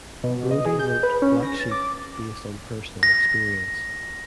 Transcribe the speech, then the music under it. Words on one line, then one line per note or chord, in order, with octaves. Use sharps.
Brody wrote "Black Sheep" based on personal experience.
B2
D#5
G#4
G6
B4
C#4
A#6
A6
D6
A#6